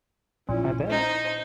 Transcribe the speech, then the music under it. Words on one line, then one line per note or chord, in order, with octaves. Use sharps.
I bet.
A#1 C#4 E4
D#4 C5